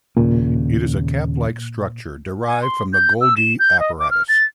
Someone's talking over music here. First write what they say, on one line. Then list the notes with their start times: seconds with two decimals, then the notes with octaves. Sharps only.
It is a cap-like structure derived from the Golgi apparatus.
0.17 D#2 A#2 C#3
2.47 G#5
2.62 C6
2.93 G6
3.21 E6
3.37 E7
3.59 G6
3.79 D#5
3.99 D6
4.11 F6
4.29 A6